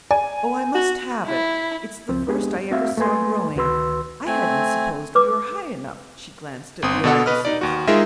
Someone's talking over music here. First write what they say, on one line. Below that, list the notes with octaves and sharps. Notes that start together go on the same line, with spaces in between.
'Oh, I must have it--it's the first I ever saw growing; I hadn't supposed we were high enough.' She glanced at the officers.
D5 G#5
F#4
E4
C#2 F3 C4
G#3 B3 D4 G4 G#4
A3 C4 F#4 E5 F5
A3 A#3 B4 G#5 C6
D2 D#3 F#4 B4 C6 E6
A3 C4 G#5
B4 D6
G1 C4 D#6
B2 D3 B3 A4 F#5
B4 D#5 F6
D#4 D5
D#2 F#4
G#3 D#4 F4 G#4 A#4 E5